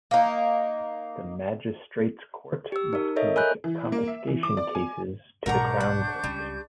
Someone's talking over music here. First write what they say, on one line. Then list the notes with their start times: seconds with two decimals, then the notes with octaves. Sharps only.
The Magistrates Court must commit confiscation cases to the Crown Court.
0.11 A#3 D#4
2.72 G4 E6
2.93 D#4 A#4
3.16 A4 A#4 C#5 D#5 E5
3.36 A#4 G#5 B5 F#6 G6
3.64 E3
3.92 A#3
4.08 E5
4.28 E3
4.43 D6
4.57 D5
4.75 G#5
5.46 B1 G#2 D4 A#4 F#5 A#5 C#6 G6
5.80 F#5
6.24 C#2 G3